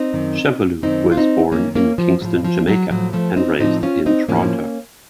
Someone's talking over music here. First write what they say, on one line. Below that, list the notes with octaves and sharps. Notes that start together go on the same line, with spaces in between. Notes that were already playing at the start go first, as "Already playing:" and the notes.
Chevolleau was born in Kingston, Jamaica, and raised in Toronto.
Already playing: C4 D#4
F#2 D#3
F#2 D#3 C4 D#4
F4
C4 D#4
F#2 D#3 A#3 C#4
A#3 C#4
F3
A2 F3 F#3
F3
F#3
A2 F3 F#3
F3 A3
C4 D#4
A2 F3 C4 D#4
C#4 F4
C4 D#4
A2 F3 A#3 C#4